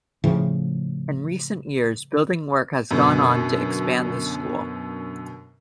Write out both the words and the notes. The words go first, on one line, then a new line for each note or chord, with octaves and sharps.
In recent years building work has gone on to expand the school.
A2 C#3 F3
F#2 B2 D3